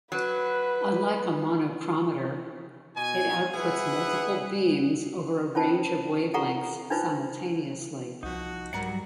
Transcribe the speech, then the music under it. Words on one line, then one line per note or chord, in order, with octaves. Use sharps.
Unlike a monochromator, it outputs multiple beams over a range of wavelengths simultaneously.
F#3 B4
B2 G#5
G#4 B4 E5 F#5
C#4 F4 C5 A5
F4 G4 A4 F#5 A#5 C#6
D4 D#4 F4 B4 C5
C2 F3 D#4 F#4
G#2 F#3 G3 A#4 F#5